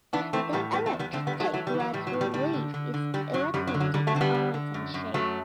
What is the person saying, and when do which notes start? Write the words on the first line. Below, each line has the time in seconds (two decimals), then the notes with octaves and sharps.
The erect, thick, leathery leaf is elleptic-ovate in shape.
0.13 E3 B3 D4
0.33 E3 A3 C4
0.53 A2 G3 B3
0.73 E2 G3 B3
0.86 A3 C4
0.93 E2
0.99 G3 B3
1.13 D3 A3 C4
1.27 G3 B3
1.33 E2
1.40 F#3 A3
1.53 E3 F#3 A3
1.67 G3
1.74 E3
1.80 F#3
1.93 A2 G3
2.07 F#3
2.13 A2
2.21 G3
2.34 D3 G3
2.53 D3
2.74 D3
2.94 D3
3.14 D3 G3
3.33 F#2 F#3
3.54 F#2 G3
3.67 F#3
3.74 D3
3.80 F#3
3.94 D3 G3
4.07 F#3 A3
4.15 D3 C4
4.21 G3 B3
4.34 D3
4.54 D3
4.74 F#2
4.94 F#2
5.14 F#2 F#3 A3